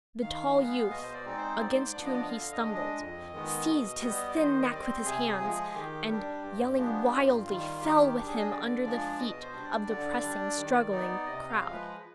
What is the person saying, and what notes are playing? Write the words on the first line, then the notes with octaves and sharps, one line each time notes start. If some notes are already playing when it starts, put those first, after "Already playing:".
The tall youth, against whom he stumbled, seized his thin neck with his hands and, yelling wildly, fell with him under the feet of the pressing, struggling crowd.
D#3 F5
G#3 B3
B2 D#5
C5
D5
G#3 C4 D#4 D5
C5
G#2 D5
C5
D5
F3 B3 D4
D#5
D5
D#5
D3 F5
D#5
G#3 D4
D#5
F2
D#3 G#3 B3
B2
G3 B3
D5
D#3 C5
D#5
G3 C4 D5
C5
C3 G#4
G#4
F3 G#3
G#4
D#3 G4
G3 D4
G2
F3 G#3 B3 D4
G2 F4
G4
F4
D#3 G3
D#3 G4
G4
G3 D4
G#4
D#5
D3 D5
F3 G#3 D4
B2 D#5
C5
G3 D4
D5
D3
G3 D4
D#3
B3 D#4
C3 D#5
F5
F3 G#3
B4